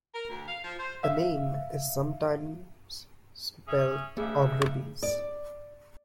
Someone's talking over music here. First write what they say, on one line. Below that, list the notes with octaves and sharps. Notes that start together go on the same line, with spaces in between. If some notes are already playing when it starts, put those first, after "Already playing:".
The name is sometimes spelt Aughrabies.
A#4
D2
F5
F3
C5
E5 F5
C#4 G#4 E5
G2 C#3 A3 G#4 E5
D5